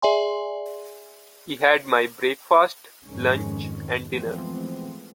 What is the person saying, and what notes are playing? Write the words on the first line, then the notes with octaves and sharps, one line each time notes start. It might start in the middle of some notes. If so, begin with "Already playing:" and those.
He had my breakfast, lunch and dinner.
G#4 D5 E5 G#5 C6
F2 G#2 D#3 G#3 C#4
E3 F3 G#3 A3 B3 C4